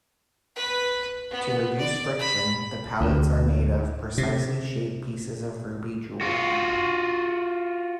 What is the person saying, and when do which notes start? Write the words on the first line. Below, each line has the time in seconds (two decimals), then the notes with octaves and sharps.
To reduce friction, the pallets are made of precisely shaped pieces of ruby jewel.
0.56 B4
1.31 B3
1.78 D5
2.19 B5
3.01 D2
4.18 C3
6.21 F4 F#4